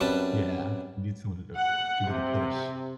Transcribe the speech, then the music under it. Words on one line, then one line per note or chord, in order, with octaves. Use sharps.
Yeah. You need someone to give you the push.
F#2 G3 C4 B4 A5
F#5
C3